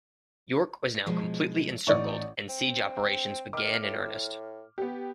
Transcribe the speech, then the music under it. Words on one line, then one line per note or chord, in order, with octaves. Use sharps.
York was now completely encircled and siege operations began in earnest.
B2 F3 G#3
A1 D#4 D5 C#6
C4
D#3 D6 F6
A2
B3 G4